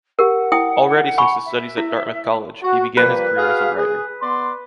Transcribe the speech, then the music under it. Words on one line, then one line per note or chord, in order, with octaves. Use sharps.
Already since his studies at Dartmouth College, he began his career as a writer.
G4 A#4 F#5
E4 G5 D#6
G#5 B5 C#6
E5
E4
F#4
F3 G3 A#3 B4
F#4 G#4 F5
G#4
B3 D5 C6